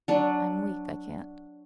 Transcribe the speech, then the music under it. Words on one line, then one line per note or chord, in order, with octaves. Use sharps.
I'm weak, I can't....
F#3 D4